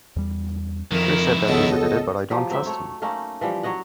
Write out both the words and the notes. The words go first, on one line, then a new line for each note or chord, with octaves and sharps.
Chris said that Lisa did it but I don’t trust him.
E2 G3
F2 D#3 F3 E4 A#4
C#2 B2 A4 D#5
F3 F#3 G4
F#3 C4 E5
A3 C#5
A3 A#3 C#4 D#4
E3 F3 G3
F#3 C#5 D#5 F#5